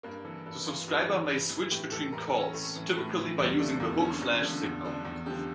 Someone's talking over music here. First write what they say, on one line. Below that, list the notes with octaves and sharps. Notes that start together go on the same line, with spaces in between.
The subscriber may switch between calls, typically by using the hook flash signal.
G2 A#3
E3 A4
G2 A4
E3 F4
G2 G4
E3
G2
E3
A2 G4
E3 A4
A2 A#4
A4
E3
C#4
A2 A3
E3
A2
E3
E2 G3
D3 F3 A3
E2 A#3
D3 F3 C#4
E2
D3 F3
E2
D3 F3 D4
E2
D3 F3 G4